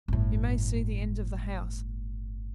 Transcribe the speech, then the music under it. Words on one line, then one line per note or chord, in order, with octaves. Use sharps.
You may see the end of the house.
G1 A2